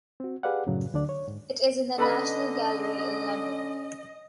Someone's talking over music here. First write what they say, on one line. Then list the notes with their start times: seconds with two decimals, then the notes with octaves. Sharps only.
It is in the National Gallery in London.
0.20 C4 F#4
0.43 G4 G#4 B4 D5 F5 F#5
0.67 F#2 A2 C#3 F#3
0.94 D2 D3 D4 D5
1.09 C#5
1.28 G#2
1.98 D3 C#4 A4 B4 D#5 B5